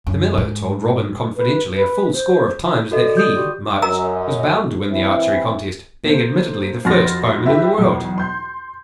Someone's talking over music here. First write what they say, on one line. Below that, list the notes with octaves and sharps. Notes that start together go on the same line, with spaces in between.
The miller told Robin confidentially a full score of times that he, Much, was bound to win the archery contest, being admittedly the first bowman in the world.
F#2
G#2
B4
B4
C5
F#4 A4 D#5
D5
D#6 G6
F#4 G4 D5
F#2 A#4 D#5 A#5 E6
E3 C4 E4
A#3 A4 C5
F2 F#4 C6 F6 A6 A#6
E4 F4 G4 B4 E5
B1 E2
C6 G6